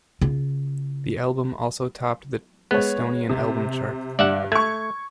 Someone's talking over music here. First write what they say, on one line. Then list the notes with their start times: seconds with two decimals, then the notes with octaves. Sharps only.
The album also topped the Estonian album chart.
0.21 C#3 F4
2.71 G#3 B3 C#5
3.29 C3
4.19 G2 D5 E5 F#5
4.52 A3 C#6 G#6